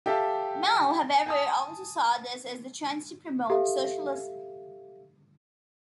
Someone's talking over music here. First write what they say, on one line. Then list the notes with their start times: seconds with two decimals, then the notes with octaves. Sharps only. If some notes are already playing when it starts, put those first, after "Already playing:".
Mao, however, also saw this as the chance to promote socialism.
0.06 G4 A4 E5 F5 G5 A5
1.26 G#5 A5 D#6
3.50 G4 A4 E5 F5